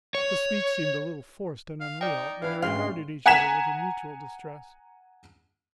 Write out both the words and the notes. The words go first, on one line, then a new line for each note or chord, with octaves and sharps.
The speech seemed a little forced and unreal, and they regarded each other with a mutual distress.
C#5
F5
D#4 D5 G5
E3 D4 E4 F5
D2 G#2 C#3 F#4 F5 C6
F#5 G#5 A#5 G#6 B6 E7